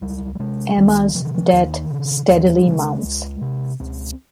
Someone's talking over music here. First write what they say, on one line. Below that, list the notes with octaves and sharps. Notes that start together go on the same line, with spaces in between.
Emma's debt steadily mounts.
C#2 G3
G3
C3 G#3
C#2 D#3
C3 F3
D#3
F3
D#2 D#3
C#3
D#2 F3
G3
C#3 G3
G#3
C#2
C3
C#2 C4